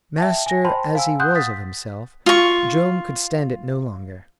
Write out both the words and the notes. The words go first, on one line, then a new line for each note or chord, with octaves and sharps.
Master as he was of himself, Joam could stand it no longer.
E5 G5 A5
G#5 A#6
C5 G5 A5 B5 C6
F5 G#5 E6
F#5 C6 D#6 F#6 G6
D#6 A6 B6
F4 C#6